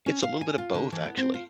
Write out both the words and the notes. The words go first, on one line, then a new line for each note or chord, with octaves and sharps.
It's a little bit of both, actually,
C#4
F5
G#5
F4
D3
E3
B3
C4
F4